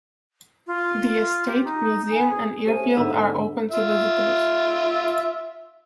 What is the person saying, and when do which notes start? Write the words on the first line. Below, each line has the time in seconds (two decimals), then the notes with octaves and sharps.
The estate, museum, and airfield are open to visitors.
0.67 F4
1.47 G4
1.65 D#4
2.11 G#5
2.30 G#4
2.66 A3 C#4 G4 C5 D#7
2.97 G#2 D3 B3 E5
3.71 F4 E5